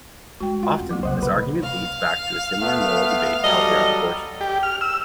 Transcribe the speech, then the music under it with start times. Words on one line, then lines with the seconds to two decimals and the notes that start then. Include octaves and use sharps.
Often, this argument leads back to a similar moral debate held around abortion.
0.40 G#3 F#4 G5
0.63 F4 F#5
0.79 F2
0.91 F#3 A#3
1.03 C2 C#3 C5 D#5 F#5
1.23 B2 B4
1.63 F5
2.61 A3 B3
3.44 F#3 G3 A4 D#5
4.41 G4
4.63 F6
4.81 E6